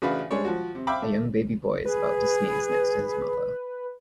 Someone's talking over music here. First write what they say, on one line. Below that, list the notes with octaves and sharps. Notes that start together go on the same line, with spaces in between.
A young baby boy is about to sneeze next to his mother.
A1 C#3 D4 F#4 B4 F5
G3 G#3 D4 C#5
F3 F#4
C3
E5 F5 G5 B5 D6
A3
G#4 B4